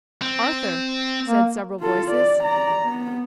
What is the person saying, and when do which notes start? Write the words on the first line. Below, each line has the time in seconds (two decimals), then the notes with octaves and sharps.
"Arthur," said several voices.
0.22 C4
1.28 A#3
1.80 F4 A4
2.12 D5
2.43 D5 A#5
2.83 B3